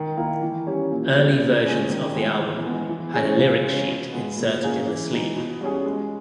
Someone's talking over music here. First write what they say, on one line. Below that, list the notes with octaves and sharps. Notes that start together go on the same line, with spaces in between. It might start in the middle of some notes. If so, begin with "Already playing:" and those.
Early versions of the album had a lyric sheet inserted in the sleeve.
Already playing: D#3
A#3 E4 A#4
E3
G3 C#4 G4
A#2
G3 B3 G4
A#2
G#3 C#4 G#4
D#3
G#3 B3
E3
G#3 B3
E3
G#3 C#4 G#4
C#3
G#3 C#4
B2
G#3 B3
A#2
A#3 C#4 G#4
E3
G#3 B3 D#4
B2
G3 C#4 G#4
G#3